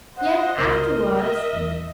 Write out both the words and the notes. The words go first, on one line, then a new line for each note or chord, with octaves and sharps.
Yet afterwards--?
C5 D#5 F#5
G1 C#2 C3 A#4
D#5 E5
D#1 E2